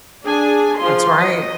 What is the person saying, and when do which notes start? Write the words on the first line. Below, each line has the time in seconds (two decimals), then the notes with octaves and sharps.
That's right.
0.25 D4 G#4 G#5
0.78 F3 F4 G#4 C6
1.14 D#5